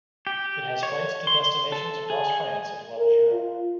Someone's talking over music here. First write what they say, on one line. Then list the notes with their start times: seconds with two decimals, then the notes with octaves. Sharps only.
It has flights to destinations across France as well as Europe.
0.27 G4
0.83 C#5
1.27 C6
1.72 A4
2.10 G#4
2.97 A#4
3.32 F4